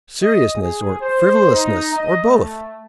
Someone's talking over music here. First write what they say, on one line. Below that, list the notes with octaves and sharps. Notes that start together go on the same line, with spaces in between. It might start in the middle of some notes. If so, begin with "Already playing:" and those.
Seriousness or frivolousness or both.
D#5
G#4
C5
D#4
D#5
A3